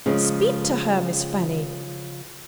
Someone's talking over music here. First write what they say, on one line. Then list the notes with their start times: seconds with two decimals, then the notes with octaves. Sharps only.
Speak to her, Miss Fanny!'
0.06 C#3 F3 G#3